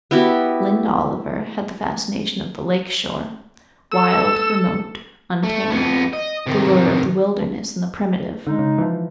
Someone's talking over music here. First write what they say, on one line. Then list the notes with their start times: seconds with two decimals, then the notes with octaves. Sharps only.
Lynde Oliver had the fascination of the lake shore--wild, remote, untamed--the lure of the wilderness and the primitive.
0.11 B3 E4 F#4 G4
3.92 A4 E6
5.43 A3
5.70 F2 B3
6.13 D#5
6.46 C3 D#3
8.47 D3 G#3 D#4
8.59 C#3
8.78 E3 F3